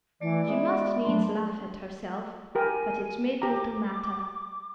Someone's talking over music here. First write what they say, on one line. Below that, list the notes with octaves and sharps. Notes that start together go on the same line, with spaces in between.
She must needs laugh at herself, but it made little matter.
E3 A3 D5
G#3 B3 E5 B5
F#3 A3 D4 C6
G4 A#4 G5 G#5
G4 A#5 D6